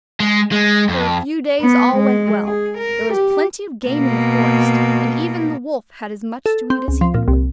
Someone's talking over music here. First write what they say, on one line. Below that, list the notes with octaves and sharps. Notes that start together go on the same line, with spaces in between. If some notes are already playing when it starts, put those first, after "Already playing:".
For a few days all went well; there was plenty of game in the forest, and even the wolf had as much to eat as he could wish.
G#3
G#3
F2
B3
G#3
G#4
A#4
G4
B2 A#3
A4
C4
C#2
F3
A#2
C2